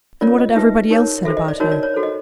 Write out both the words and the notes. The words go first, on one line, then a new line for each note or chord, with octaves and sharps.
And what had everybody else said about her?
C#4 F4 A#4 C#5 D5
D#5
D#4 G4 B4 E5
D#4 G4 A#4 C#5
F#4 A4 C5 E5
D#5
D5
D#4 F#4 A#4 C#5
D5
C#5
F#4 A4 C5
D#5